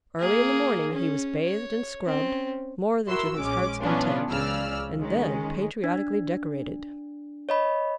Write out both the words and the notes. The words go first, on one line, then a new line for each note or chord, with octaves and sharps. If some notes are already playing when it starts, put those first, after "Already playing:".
Early in the morning he was bathed and scrubbed, more than to his heart's content, and then patriotically decorated.
A#3 G#4
C#4
C#5
C4 C#4
E4 F#4 A#4 C6 E6
A#1 G#3 C#4 D6
E3 F#3 B3 C#4 D4 F4
C#2 C#3 D5 E6 F6
D#3 G#3 C#4
D4
C#5 D#5 B5